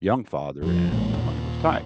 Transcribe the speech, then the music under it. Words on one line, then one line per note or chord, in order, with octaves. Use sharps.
young father and money was tight.
F2 F3
A1 A#2 G#3
D#2 A#2